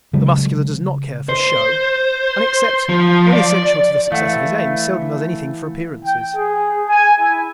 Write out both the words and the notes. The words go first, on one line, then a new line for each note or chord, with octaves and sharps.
The Muscular does not care for "show" and, except when essential to the success of his aims, seldom does anything for "appearances."
C#3 F#3 G#3
C5
F3
D5
E3 A3 F5 F#5
G5
G#4
G#5
E4